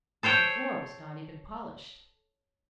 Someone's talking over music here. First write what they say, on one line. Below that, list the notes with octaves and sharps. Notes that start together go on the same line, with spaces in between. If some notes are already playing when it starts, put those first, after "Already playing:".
The floor was not even polished.
A4 C5 C#5 G5